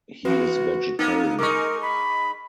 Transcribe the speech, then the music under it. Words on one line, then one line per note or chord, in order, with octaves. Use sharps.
He is vegetarian.
E3 F#4 B4
A#3 B3 D#4
G#3 D#4 A#4 C#6 D6
B5